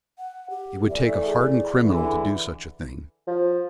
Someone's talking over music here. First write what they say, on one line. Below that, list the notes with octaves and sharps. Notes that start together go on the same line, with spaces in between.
It would take a hardened criminal to do such a thing.
F#5
G4
E3 A3 D5 E5
G#4
D3 E3
F3